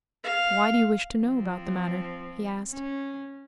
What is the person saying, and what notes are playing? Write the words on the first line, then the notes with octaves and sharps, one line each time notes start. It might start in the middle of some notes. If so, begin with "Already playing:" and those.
"Why do you wish to know about the matter?" he asked.
F5
F3 C4
C#4